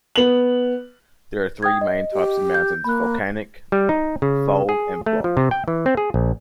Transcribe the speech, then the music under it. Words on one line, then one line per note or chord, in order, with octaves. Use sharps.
There are three main types of mountains: volcanic, fold, and block.
B3 F#7
G5 D#6 G#6
D#5
G4
G6
A#3 B5 F#6
G3
D#4
C#3
G#4
A3
F3
C3
G5
E3
C4
G#4
A#1